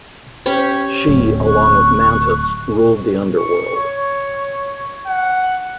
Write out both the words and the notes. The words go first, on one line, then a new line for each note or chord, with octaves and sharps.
She, along with Mantus, ruled the underworld.
C#4 G4 C#5
D1
C#6 F#6
C#6
C#5
F#5